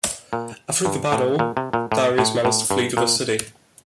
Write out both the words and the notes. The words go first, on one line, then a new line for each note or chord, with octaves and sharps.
After the battle, Darius managed to flee to the city.
A#2
G2
A2
A#2
C3
A#2
A2
A2
A2
G2
A#2